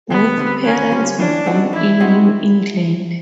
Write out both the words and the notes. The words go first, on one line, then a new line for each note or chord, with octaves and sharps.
Both parents were born in New England.
D#2 B3
D3 G3 C4
D#2 C#4
D3 G3 C4
E3 D4
G#3 C4 D#4 F#4
E3 E4
G#3 C4 D#4 F#4